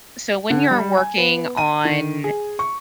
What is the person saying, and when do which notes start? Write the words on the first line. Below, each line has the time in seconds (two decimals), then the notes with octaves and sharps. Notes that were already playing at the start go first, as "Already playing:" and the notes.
so, when you're working on
0.50 D3
0.71 G3
0.97 G#5
1.18 B3
1.57 D#7
1.85 D#3
2.24 G#4
2.59 C#6